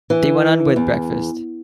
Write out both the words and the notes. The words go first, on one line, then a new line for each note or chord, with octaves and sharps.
They went on with breakfast.
E3
E2